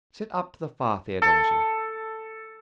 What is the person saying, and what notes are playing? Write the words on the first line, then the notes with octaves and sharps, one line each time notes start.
Sit up to the fire, Theodosia.
A4